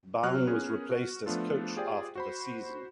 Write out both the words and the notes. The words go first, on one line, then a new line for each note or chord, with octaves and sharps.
Baun was replaced as coach after the season.
C3 F#3 F6 F#6
B3 C#4 G#4 A#4
F#4
F3 A3 B3 D4 F4 A4
F4 G4 G#4 C5 D5 G5
F#4 C5 B5